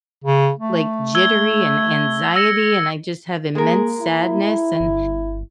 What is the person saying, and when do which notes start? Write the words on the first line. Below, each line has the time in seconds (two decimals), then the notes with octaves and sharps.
like, jittery and anxiety, and I just have immense sadness and,
0.24 C#3
0.59 A3
1.15 E6 G#6 G7
2.36 E6 A#6 C#7
3.55 G#3 A#3 G#4 A#4
4.01 E4
4.80 G1